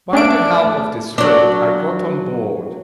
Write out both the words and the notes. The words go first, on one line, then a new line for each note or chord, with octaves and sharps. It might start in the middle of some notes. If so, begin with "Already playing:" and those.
By the help of this rope I got on board.
A3 C#4 D4 D7
F#3 D4